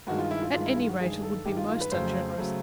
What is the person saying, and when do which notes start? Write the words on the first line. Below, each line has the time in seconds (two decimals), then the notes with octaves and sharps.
At any rate it would be most ungenerous.
0.07 G2 D#3 G#3 F#4
0.19 F4
0.31 E4
0.42 F4
0.54 G2 D#3 G#3 F4
0.65 E4
0.76 F4
0.88 F#4
1.00 G2 D#3 G#3 G#4
1.23 A4
1.45 G2 D#3 G#3 G4
1.57 F4
1.68 F4
1.80 B4
1.92 F2 C#3 F#3 A3 C5
2.38 C#3 F#3 A3